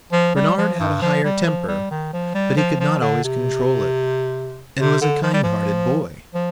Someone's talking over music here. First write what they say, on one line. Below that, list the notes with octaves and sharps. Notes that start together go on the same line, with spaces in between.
Bernard had a high temper, but he could not always control it, and was a kind-hearted boy.
F3
G3
F3
G2
F3
G3
F3
G3
D#3
F3
G3
F3
F3
D3
C3
C3
D3
F3
G3
F3
F3